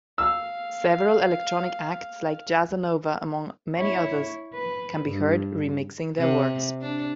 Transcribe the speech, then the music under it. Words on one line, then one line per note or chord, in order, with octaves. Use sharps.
Several electronic acts like Jazzanova among many others, can be heard remixing their works.
F5 E6
E4 C#5
B4
G2
C3
D4